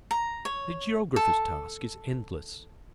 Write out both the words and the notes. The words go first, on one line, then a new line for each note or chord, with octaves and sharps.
The Geographer's task is endless.
A#5
C#5
A4